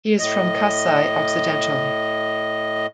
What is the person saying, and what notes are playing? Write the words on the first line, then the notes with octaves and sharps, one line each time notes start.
He is from Kasai-Occidental.
A2 D#5